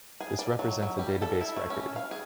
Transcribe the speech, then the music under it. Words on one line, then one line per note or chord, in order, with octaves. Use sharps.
This represents a database record.
G#4
D5
F#3
F#3
G3
A4
E4
A3
C#4
F5
G#4